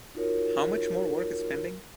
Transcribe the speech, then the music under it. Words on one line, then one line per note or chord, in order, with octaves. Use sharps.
How much more work is pending?
D#4 F4 F#4 A#4 C#5